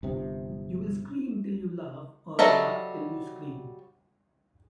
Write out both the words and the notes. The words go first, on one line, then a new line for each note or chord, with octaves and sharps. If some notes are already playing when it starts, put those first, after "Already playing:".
You'll scream till you laugh, or laugh till you scream.
G1 C3
F#3 G3 A4 D#5 E5